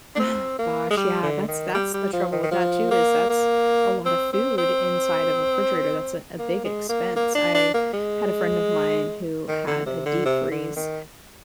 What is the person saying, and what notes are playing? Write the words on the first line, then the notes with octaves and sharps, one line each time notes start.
Oh, gosh, yeah, that's that's the trouble with that, too, is that's a lot of food inside of a refrigerator, that's a a big expense, I had a friend of mine who had a deep freeze,
D4
C4
A#3
G#3
G3
D3
D#3
G3
G3
F3
D#3
D#3
F3
A#3
A#3
C4
C4
C4
A#3
G#3
A#3
A#3
D4
D4
A#3
G#3
D#3
D3
C3
D3
C3
D3
D#3